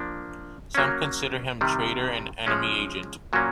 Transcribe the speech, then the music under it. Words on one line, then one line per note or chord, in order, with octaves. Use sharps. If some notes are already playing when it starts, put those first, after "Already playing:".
Some consider him traitor and enemy agent.
Already playing: F3 A#3 D4
F#3 A#3 C#4
C3 D#3 G3
F3 G#3 C#4
A#2 F#3 A#3 C#4